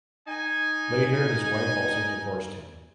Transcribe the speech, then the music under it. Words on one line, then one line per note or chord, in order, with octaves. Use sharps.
Later his wife also divorced him.
D#4 G#5